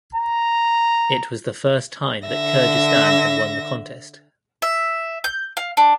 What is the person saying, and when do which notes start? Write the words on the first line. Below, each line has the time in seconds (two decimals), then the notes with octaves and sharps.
It was the first time that Kyrgyzstan had won the contest.
0.15 A#5
2.28 D3 E5 A#6
4.62 E5
5.24 G6
5.57 F5
5.77 D4